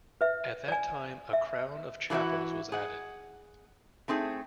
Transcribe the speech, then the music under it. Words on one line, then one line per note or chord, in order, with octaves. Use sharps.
At that time, a crown of chapels was added.
B4 E5
D5 G#5
E5
E3 G#3 A#3 E4 F#4
G#4 F#5
A3 C4 D#4 G#4